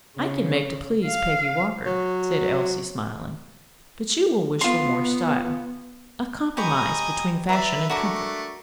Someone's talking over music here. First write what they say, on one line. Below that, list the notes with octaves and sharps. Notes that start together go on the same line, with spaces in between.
"I can make to please Peggy Walker," said Elsie, smiling; "but you will wish for more style--a compromise between fashion and comfort."
C#3
F5
F#3
B3 F4 C6
G4 D#5 G#5 A#5 B5 C#6
B4 D5 E5 A#5
A3 D4 F#4 A#4 D6